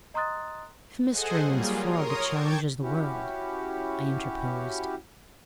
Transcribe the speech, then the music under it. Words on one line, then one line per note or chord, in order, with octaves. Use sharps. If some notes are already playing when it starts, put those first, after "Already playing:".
'If mystery means fog, it challenges the world,' I interposed.
D#5 A#5 C6 D#6 F#6 A6
G#4 A4 C5 D#5 F#5 G#5
F#3 G3 A#3 F4 G#4
A#4 C#5 A#5 C6 D#6
G5 A5 C#6 D6 G#6
C#4 E4 F#4 G4